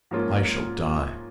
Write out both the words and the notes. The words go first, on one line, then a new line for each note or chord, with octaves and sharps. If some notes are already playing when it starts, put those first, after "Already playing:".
I shall die!
G#2 F3 A#3 C#4 F4